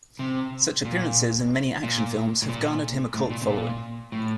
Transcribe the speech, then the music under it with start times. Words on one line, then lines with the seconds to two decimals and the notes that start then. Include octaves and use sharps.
Such appearances in many action films have garnered him a cult following.
0.19 C3
0.85 A#2
1.83 A#2
2.42 A2
2.49 A#2
3.14 A2
3.30 A#2
3.42 C3
3.47 A#2
4.12 A2